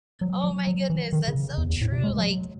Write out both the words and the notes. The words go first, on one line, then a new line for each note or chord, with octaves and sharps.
Oh my goodness, that's so true, like,
F#3
F#3
F#3
E3
D#3
C#3
E2
E2
A2
C3
G#3
F#3